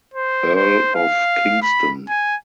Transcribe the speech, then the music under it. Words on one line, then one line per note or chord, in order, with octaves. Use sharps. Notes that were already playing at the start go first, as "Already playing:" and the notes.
Earl of Kingston.
C5
C5
F5
B5
G#5